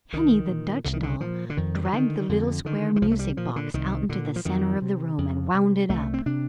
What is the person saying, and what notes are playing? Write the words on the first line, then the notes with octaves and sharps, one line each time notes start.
Henny, the Dutch doll, dragged the little square music box out into the center of the room and wound it up.
C2 D#3
A#2
C2 D3
D#3
D3
A#2 F3
D3
F2 D#3
G3
F3
D3 D#3
F2 D3
D3 D#3
D#3
C2 F3
A3
G3
A#2 F3
D3
C2 D#3
A#2 D3
F3
F2 D#3
C3
F2
C3
C2 A3
C4
C3 D4